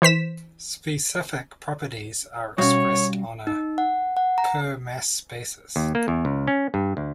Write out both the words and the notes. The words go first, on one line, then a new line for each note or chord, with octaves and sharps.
"Specific" properties are expressed on a per mass basis.
E3 C5 B6 E7
B2 G3 C#4 F#4 C#5 F5
D#4
F#5
F#5
A#5
D#2
A#3
E2
C#2
C#4
G2
D2